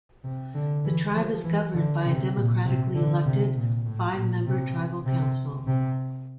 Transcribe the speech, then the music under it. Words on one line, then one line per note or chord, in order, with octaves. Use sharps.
The tribe is governed by a democratically elected, five-member tribal council.
C3
D3
E3
F3
E3
D3
C3
A#2
C3
D3
C3
A#2
A2
A#2
C3
C3
C3